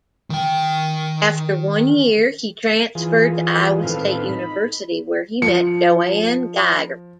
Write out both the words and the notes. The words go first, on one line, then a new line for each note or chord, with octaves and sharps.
After one year, he transferred to Iowa State University where he met JoAnn Geiger.
D#3 G5
E3 F4 G#4
A2 D#3 C4 A4 B4 F5
D#4 B5
F3 C#7